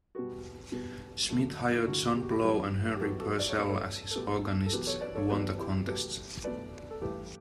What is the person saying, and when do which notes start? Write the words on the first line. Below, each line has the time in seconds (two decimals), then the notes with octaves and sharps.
Smith hired John Blow and Henry Purcell as his organists and won the contest.
0.15 B2 G3 B3 F#4
0.72 B2 G3 B3
1.29 D2 D3 F#3 A3
1.76 E4
1.86 D2 D3 F#3 A3 F#4
2.16 G4
2.22 F#4
2.30 E4 G4
2.44 F#2 E3 B3 E4 G4
2.96 G4
3.00 F#2 E3 B3 F#4 A4
3.20 F#4 A4
3.39 D5
3.49 C#5
3.58 B2 A3 B4
3.70 A4 C#5
4.11 A4
4.15 B2 A3 G4 B4
4.66 A4
4.72 E2 B2 F#3 B3 G4 B4
4.87 A4 C#5
5.01 B4 D5
5.15 A4 C#5
5.29 E2 B2 F#3 B3 G4 B4
5.58 E4 G4
5.87 B2 F#3 A3 G4 B4
6.44 B2 F#3 A3 B4 D5
6.91 A4
7.01 G2 E3 A3 G4 B4